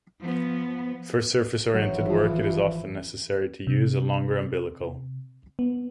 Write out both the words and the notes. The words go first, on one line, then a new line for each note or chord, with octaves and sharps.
For surface oriented work it is often necessary to use a longer umbilical.
F3 B3
G#1 E3 F#3
F3
C3
B3